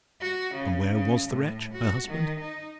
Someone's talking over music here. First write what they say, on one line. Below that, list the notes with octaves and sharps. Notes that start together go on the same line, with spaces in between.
And where was the wretch, her husband?
F#4
C#3
C#3
A2
F#4
D#3
D#4